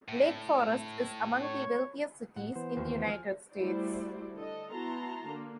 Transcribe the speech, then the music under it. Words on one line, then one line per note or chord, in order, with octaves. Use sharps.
Lake Forest is among the wealthiest cities in the United States.
A2
C#5
A2 F#5
E3 B3 C5
D#1 D#2 F#4
F3 G#5 F6
G3 A3 E4 F#4 C5 D5
D3 A4 D#5
B3 E4 F#4 A5 A#5 C6
D3 A#3